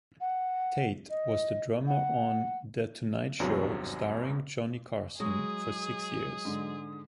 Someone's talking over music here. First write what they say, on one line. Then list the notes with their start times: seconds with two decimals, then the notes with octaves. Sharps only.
Tate was the drummer on "The Tonight Show Starring Johnny Carson" for six years.
0.21 F#5
1.10 D#5
1.87 F#5
3.39 G#1 E2 G2 C3 F#3
5.20 F#3 G#3 G#4 D#6
6.45 G#2 D3